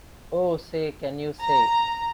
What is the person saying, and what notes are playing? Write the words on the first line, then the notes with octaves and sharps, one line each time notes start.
Oh Say Can You Say?
A#5